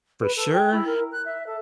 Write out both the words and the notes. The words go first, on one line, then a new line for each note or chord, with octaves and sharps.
For sure,
B4
A4
G5
E4
A#4
F#6
E5
A4